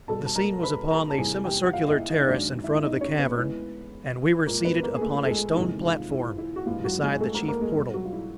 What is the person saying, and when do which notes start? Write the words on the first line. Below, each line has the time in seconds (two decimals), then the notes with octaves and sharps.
The scene was upon the semicircular terrace in front of the cavern, and we were seated upon a stone platform beside the chief portal.
0.08 B2 G3 A4 A5
0.26 A5
0.36 A#4 A#5
0.63 B4 B5
0.91 A#4 A#5
1.10 A5
1.18 E2 C3 E3 G3 G#4 G#5
1.45 G4 G5
1.66 F#5
1.73 F4 F5
1.87 D#5
1.91 E4 E5
2.09 D#4 D#5
2.27 F#2 D#3 G#3 D4 D5
2.64 E4 E5
2.83 D#4 D#5
3.01 C#4 C#5
3.19 B3 B4
3.37 A2 E3 G#3
4.46 A#2 F3 G#3 A#3 A#4
4.65 B3 B4
4.83 A#3 A#4
4.96 G#4
5.01 A3 A4
5.25 A4
5.29 G#3 G#4
5.53 D#4
5.56 E2 C3 D#3 G#3 E4
5.83 F3 F4
6.12 E4
6.38 E4
6.56 F#4
6.66 G2 E3 F3 G#3 F4
6.84 F#3 F#4
7.02 G#3 G#4
7.21 A3 A4
7.34 A#3 A#4
7.48 A#3 A#4
7.61 G#3 G#4
7.75 B2 G3
7.94 F#3 F#4
8.05 F4
8.13 E4